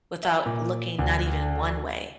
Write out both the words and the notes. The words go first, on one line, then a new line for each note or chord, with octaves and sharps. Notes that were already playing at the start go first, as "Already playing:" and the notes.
without looking not even one way.
E5
A#2
D2